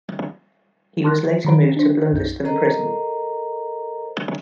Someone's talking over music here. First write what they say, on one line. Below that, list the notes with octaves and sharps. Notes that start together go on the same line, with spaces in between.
He was later moved to Blundeston Prison.
A5 C6 D6 F6 F#6 A#6
D#3 F#3 A#5 B5 D7
D4 C5
B1 F#2 D#4 G6
A4 A#4 C5 D#5 A#5